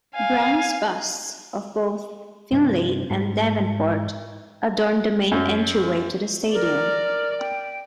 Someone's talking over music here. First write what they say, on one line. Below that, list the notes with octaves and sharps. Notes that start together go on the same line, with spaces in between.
Bronze busts of both Finley and Davenport adorn the main entryway to the stadium.
F5 G#5
G2 C3 B3 D#4 C5
G#2 G#3
F#2
A#4 D5
G5